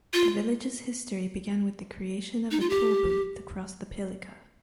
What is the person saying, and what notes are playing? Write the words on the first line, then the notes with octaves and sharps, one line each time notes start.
The village’s history began with the creation of a toll booth to cross the Pilica.
F4
D#4
F4
G4